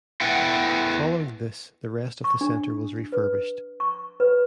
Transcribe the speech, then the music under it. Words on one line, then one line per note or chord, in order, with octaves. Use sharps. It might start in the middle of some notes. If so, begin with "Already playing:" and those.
Following this the rest of the centre was refurbished.
A3 B3 E4 B4 F#5 G5
C#6
D4
B4
C#6
B4